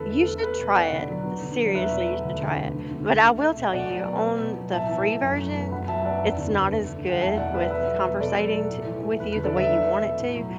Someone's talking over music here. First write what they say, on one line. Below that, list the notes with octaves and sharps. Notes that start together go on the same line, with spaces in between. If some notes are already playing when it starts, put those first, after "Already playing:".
You should try it. Seriously, you should try it, but I will tell you on the free version, it's not as good with conversating to with you the way you want it to,
Already playing: E2 D3 A3 A4 B4
B3
A4
A3 B4
A3 B4
B2
B3 D5 F#5
D3
F#3
B3
D3
F#3
D5
E2 B4 E5
B2
A3
D2
D3
B3
D2
D3
A3
A3
A3
B2
B2 D5 F#5
F#3
B3
B3
B2
F#3
A2 E5 A5
E3
A3
F#2
F#3
B3
F#2 F#5 B5
F#3 E5 A5
B3 D5 F#5
E2
D3
B3
A3
D3
F#3 F#5
E2 E5 A5
B2 D5 F#5
A3 B4 E5
B2 B4 E5
F#3
B3
B2 A4 D5
F#3
A3
A2
E3
A3
E2 B4
B4
D3
A4 D5
F#3 B4 E5
A3
A3
B2
A2
F#3